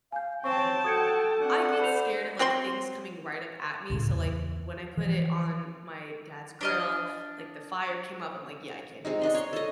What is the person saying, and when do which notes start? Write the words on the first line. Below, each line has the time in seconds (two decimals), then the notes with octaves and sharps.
I get scared of, like, things coming right up at me, so, like, when I put it on my dad's grill, like, the fire came up, I'm, like, "Yeah, I can't do this. Nope,
0.12 F5 G#5 G6
0.44 C4 C#5 G5 A5 C#6
0.84 F#4 A4 D#6 G#6 C#7
1.41 C4 D4 F#5
1.81 C5 B5 F7
2.39 F#3 C4 F#4 C6
3.90 C#2 A2 C#3
4.09 E2
4.97 E3 F3
6.61 D4 D#5 F6
9.05 G#3 C4 D#4
9.22 D4 D#4 C6
9.35 C#5 C6
9.53 A4 D#5